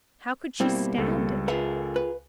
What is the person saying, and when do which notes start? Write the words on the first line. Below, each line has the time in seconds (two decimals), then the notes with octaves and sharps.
How could she stand it?
0.60 B2 G3 A#3 C4 E4
0.98 C#2 A4
1.48 F4 G#4 A#4 B4 E5 F#5
1.96 B4